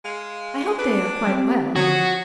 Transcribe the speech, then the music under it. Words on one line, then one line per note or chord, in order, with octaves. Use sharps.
I hope they are quite well.
G#3 F5
D4 B4
G3 C4 G4
D3 F3 F#3 F#4 D#6